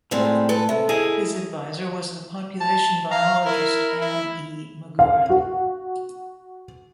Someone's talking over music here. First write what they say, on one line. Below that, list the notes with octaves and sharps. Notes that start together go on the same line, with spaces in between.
His advisor was the population biologist Anne E. Magurran.
A2 G3 G#3 C4
A4 B4
C3 A4 E5
E4 G#4 D#5
A5
F5 A#5
E4 A#4
E4
F5
F#4